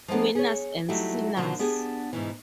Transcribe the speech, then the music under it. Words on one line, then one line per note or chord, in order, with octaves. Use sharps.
Winners and sinners.
F3 G#3 A#3 B3 D4
G#4 C#5
F#3 G3 A3 D#4 E4 G4
B2 D3 F3 F#3 A#3 D#4
B3 D4 G4 G#4
G#2 B2 E3